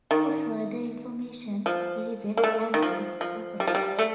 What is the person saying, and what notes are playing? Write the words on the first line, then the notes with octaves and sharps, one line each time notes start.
For further information, see Red algae: Reproduction.
D#3
F3
A#3
A3
D#3
F3
F3
G3
F3
G3
A3